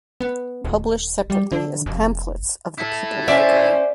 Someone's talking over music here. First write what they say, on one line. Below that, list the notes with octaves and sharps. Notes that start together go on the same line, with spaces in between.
Published separately as pamphlets of the "People library".
B3
D#1
G3
D3
F1
E4 A4
C#4 C5 D5 E5